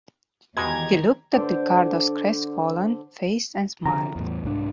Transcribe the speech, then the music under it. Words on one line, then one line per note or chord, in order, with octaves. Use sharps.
He looked at Ricardo's crestfallen face and smiled.
E2 B2 D#3 G#3 D#4 G4 A#5 G#6
D3 C5 D6
D3 F3 A#5
E2 A2
C2 G#2 D4